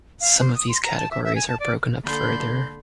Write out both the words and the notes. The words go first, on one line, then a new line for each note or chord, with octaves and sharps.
Some of these categories are broken up further.
F5
C5
D#6
C6
A#5
A5
E5
E5
G#5
A5
D5
D3 A#3 A4 B5 C6 G6